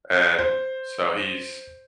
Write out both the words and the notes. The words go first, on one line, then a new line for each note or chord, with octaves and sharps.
And so he's,
C5